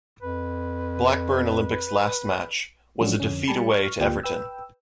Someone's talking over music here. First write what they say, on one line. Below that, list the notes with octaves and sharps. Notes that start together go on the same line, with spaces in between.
Blackburn Olympic's last match was a defeat away to Everton.
F2 B4
F3 F#3 G#3 C#4 D4 F#4
F2 D3 C#4
G3 G4 G#5 A5 B5 C#7
C#6 F6
D2 A#3 F4 G4 G5
B4 G5 E6